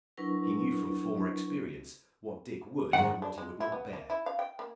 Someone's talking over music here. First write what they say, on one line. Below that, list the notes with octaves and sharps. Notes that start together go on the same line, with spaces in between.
He knew from former experience what Dick would and what he would not bear.
F#3 D4 E4 A#4 B4 C#6
G#2 D#3 F#5
D4
G#3
E4
B3
A#3
E4
F5
G5
A#3